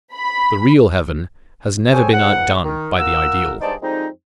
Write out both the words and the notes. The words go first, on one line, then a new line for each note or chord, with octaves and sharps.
The real heaven has never been outdone by the ideal.
B5
G#4 A4 C5 C#5 G5 G#5
C#2 G#2 F#5
D#3
F4 A#4 F#5 E6
G2 G#3 D#4 C5 D5 A5
F2 G3 G#3 C4 D#4